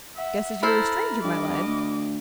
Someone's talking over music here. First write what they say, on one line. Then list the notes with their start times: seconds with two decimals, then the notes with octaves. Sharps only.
"Guess as you're a stranger, my lad."
0.16 E5 F#5
0.63 E4 A4 C5 A#5 B5 F6
1.23 G2 D#5 D6
1.66 D2